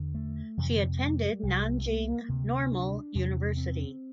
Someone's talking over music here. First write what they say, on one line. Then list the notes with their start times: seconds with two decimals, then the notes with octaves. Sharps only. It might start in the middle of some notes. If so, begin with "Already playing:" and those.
She attended Nanjing Normal University.
Already playing: E2 D3
0.15 A3
0.57 F2 C3 E3
0.71 D3
1.00 G3
1.43 C2 C3
1.79 A3
1.86 A#3
2.29 D2 C3
2.72 D4
3.15 E2 C3
3.57 C4